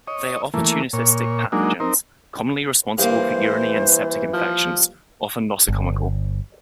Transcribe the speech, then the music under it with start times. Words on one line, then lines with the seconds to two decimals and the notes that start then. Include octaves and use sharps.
They are opportunistic pathogens, commonly responsible for urinary and septic infections, often nosocomial.
0.07 C#5 D#5
0.54 E3 A3 A#3
0.93 A#2 C#5
1.52 F#3 G#3 A#3 D4 D#4
1.80 C4 D#4 A#4
2.98 G2 E3 A#3 C5
4.34 F3
5.68 G1